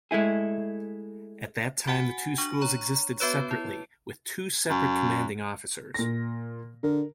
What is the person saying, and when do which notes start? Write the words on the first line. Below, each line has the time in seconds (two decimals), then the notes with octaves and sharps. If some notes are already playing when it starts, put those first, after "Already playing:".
At that time the two schools existed separately with two separate commanding officers.
0.11 G#3 A3 E4 G#4
1.88 F#4 F#5 G#5
2.38 D4 C#6
2.61 C#5 A#5 C#6
3.20 B3 F#4 B4 C#5
3.51 E4
4.70 F#2
5.94 A#2 A#6
6.83 D3 A#4